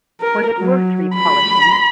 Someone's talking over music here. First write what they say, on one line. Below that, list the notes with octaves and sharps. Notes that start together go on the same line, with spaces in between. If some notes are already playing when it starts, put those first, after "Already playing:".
Was it worth re-polishing?
A#4
F#3
B5